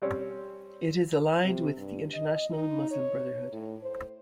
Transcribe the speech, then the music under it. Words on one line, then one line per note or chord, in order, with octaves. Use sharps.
It is aligned with the international Muslim Brotherhood.
G3 C4 C#4
C3
G2
D#5
D#4
C#5
A2
C5